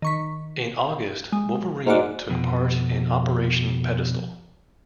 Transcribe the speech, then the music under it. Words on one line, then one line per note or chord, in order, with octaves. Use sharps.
In August "Wolverine" took part in Operation Pedestal.
D#3 C#6 B6
G#3
G#2 A#3 F#4 D5
F2 B2